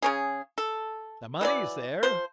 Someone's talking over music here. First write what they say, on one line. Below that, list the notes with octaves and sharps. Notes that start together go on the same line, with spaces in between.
"The money's there."
C#3 C#4 G#4
A4
E3 F#3 D5
F3 C5